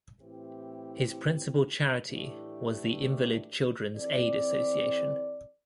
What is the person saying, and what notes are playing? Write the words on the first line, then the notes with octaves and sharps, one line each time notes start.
His principal charity was the Invalid Children's Aid Association.
A2 E3 C4 E4 G4
A2 E3 A3 D4 G4
E3 C4 A4 D5